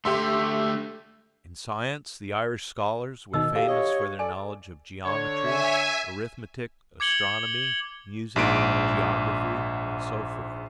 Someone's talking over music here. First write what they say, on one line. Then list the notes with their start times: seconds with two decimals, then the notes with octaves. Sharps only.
In science the Irish scholars were famous for their knowledge of Geometry, Arithmetic, Astronomy, Music, Geography, and so forth.
0.05 D3 A3 G4 E5 C6
3.34 B2 D#3 D#4 D#5 E6
3.55 F#4 G4 A4 F5
3.68 C#5 D#5
4.19 A4 D5 G#5
5.04 D3 C#5
5.42 E5 G#5
7.00 D6 G#6 C#7 F#7 G7
8.36 A#1 G#2 D7